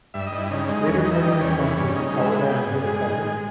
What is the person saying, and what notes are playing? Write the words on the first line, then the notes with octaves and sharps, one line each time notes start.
Later primary sponsors were PowerBar and Hewlett-Packard.
G2 E5
D#5
G2
E4
C#3 D#4
G#3 D#4
E2 C#4
D#4
D#3
E4
G3 D#4
E2 C#4
E3 C#4
G2 C#4
C#3 D#4
D#4
G#3
E4
B2 E4
G4
B2
G#4
G2
G#3
D#3
G#3